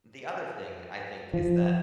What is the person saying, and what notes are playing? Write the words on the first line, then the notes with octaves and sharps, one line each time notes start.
The other thing I think is that
F3